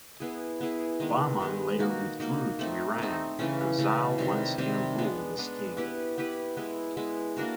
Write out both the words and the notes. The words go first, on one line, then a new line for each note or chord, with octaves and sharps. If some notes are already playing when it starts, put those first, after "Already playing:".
Bahman later withdrew to Iran, and Zal once again ruled as king.
B3 E4 G#4
B3 E4 G#4
D#3 G#3 B3
D#3 G#3 B3
A#3 D#4 F#4
A#3 D#4 F#4
A3 C4 D#4
A3 C4 D#4
C#3 E3 A3 C#4
C#3 E3 A3 C#4
C3 D#3 G3 C4
C3 D#3 G3 C4
G#3 B3 D4
G#3 B3 D4
B3 E4 G4 B4
B3 E4 G4 B4
G#3 B3 E4
G#3 B3 E4
A#3 D4 F#4 A#4